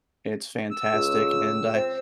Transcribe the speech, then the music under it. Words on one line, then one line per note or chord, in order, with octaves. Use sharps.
it's fantastic, and I
E6
C#2
C4